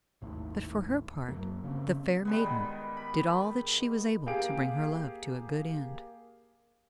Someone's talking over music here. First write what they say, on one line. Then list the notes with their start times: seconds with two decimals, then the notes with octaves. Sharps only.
But for her part the fair maiden did all that she was able to bring her love to a good end.
0.21 G#1 D#2 A2
1.28 F#2 F#3 A#3
1.63 C#3 A#3 C4
2.25 G3 G#3 B3
2.44 D#3 B3
2.97 B5
4.26 A#3 G4 G#4 F5 D7